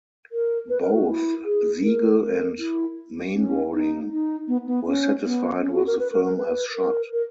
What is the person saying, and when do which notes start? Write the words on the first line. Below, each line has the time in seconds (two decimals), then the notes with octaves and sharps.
Both Siegel and Mainwaring were satisfied with the film as shot.
0.32 A#4
0.69 B4
0.82 A#4
0.95 F#4
1.08 E4
1.45 G#4
1.83 A#4
2.21 A#4
2.59 E4
3.34 C#4
3.72 D#4
4.10 D#4
4.48 B3
4.67 B3
4.86 C#4
5.24 B3
5.62 C#4
5.74 F#4
5.87 A#4
5.99 B4
6.12 A#4
6.25 A#4
6.37 B4
6.75 A#4
7.13 A#4